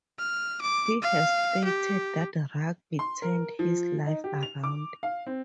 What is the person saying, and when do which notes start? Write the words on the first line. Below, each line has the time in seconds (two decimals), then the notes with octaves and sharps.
He has stated that rugby turned his life around.
0.19 F6
0.61 D6
1.02 F5
1.64 G4
2.99 C6
3.22 A#4
3.59 F3
4.06 D#4
4.24 G4
4.43 F7
4.64 D6
5.03 F5
5.27 C4